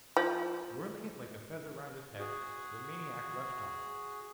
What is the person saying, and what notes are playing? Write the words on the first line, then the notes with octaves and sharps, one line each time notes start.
Whirling it like a feather round his head, the maniac rushed on.
F3
F#4 G#4